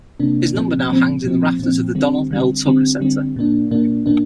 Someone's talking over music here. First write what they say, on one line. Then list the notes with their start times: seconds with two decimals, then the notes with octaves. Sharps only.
His number now hangs in the rafters of the Donald L. Tucker Center.
0.20 C3 A#3 D4
0.55 A#2 F3 C4
0.90 A#2 F3 C4
1.24 A#2 F3 C4
1.59 A#2 F3 C4
1.95 D3 G3 C4
2.31 D3 G3 C4
2.65 D3 G3 C4
3.00 D3 G3 C4
3.36 A#2 A#3 D4
3.71 A#2 A#3 D4
4.06 A#2 A#3 D4